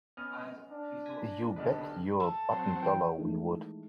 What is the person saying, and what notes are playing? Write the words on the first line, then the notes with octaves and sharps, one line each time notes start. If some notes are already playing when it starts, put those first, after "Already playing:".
You bet your bottom dollar we would!
B3 C#4 D#5 F6
D4
G#5 A#6 B6
D#1 B1 D3 B4 D5 D#5
A4
F#3 C4
E3 G5
D#3 E3 G#3 A3